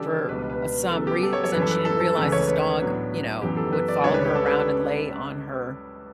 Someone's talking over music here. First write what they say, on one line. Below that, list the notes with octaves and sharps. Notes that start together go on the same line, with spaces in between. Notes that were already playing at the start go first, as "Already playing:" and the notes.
for, uh, some reason she didn't realize this dog, you know, would follow her around and lay on her,
Already playing: C#3 E3 G3 D4 G4 A4
C#2 B2 G3 D4 B4
B4
B4
C#3 F#3 B3 A4
G4
A4
C#5
C#5
F#2 E3 G3 B4
A4
B4
A4
A4
C#2 C#3 E3 A3 B4
C#5
B4
A2 F#3 B3 D4
F#2 E3 B3 G4
A4
B4
D5
C#2 C#3 G3 D4 C#5
B4
G4
A4
B4